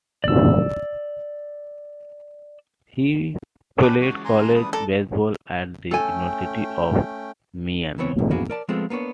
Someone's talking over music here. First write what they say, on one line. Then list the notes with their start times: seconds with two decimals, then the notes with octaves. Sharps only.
He played college baseball at the University of Miami.
0.24 D5 E6
3.83 C#4 G5 A5 B5 D6 F#6
4.01 E3 G#3 C#4 F#4
4.25 G#5 A#5 C6
4.55 G3 B4 D#6
4.73 G3 A4 D5 A#5
5.91 A3 C#4 A4 G5 G#5
7.98 C#2 E3 B3 C4 C#5
8.19 F#2
8.31 A#3 B3 E4 F#4 G#4
8.50 A#4 D5 A5
8.69 F3 G#3 A3 B3 C4 F4
8.90 A#3 B3 D4 C#5